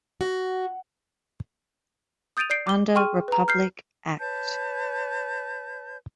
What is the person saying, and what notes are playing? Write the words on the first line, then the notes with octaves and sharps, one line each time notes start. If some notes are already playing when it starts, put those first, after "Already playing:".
Under Republic Act.
F#4
D#6 G6 A6 D7 D#7 F7
D5 G6 C7 D7
D6 G7
G#4 G5 C6 C#6 F6 D#7
B4 A#5
F6 G6 C7
B4 C#5 A5 G6